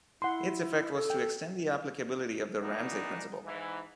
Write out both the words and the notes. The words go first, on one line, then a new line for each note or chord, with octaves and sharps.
Its effect was to extend the applicability of The Ramsay Principle.
E4 F#5 C6
A4
G5
A#2 E3 D4 D#4 F#4
G#2 E3